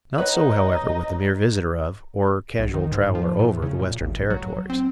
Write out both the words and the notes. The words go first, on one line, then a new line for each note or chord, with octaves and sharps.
Not so however with the mere visitor of, or casual traveller over, the Western Territories.
D#4 B4 C#5 F#5
B1
D#3
G#2
F3
A2
C#3
A#2
A1
F#3
C4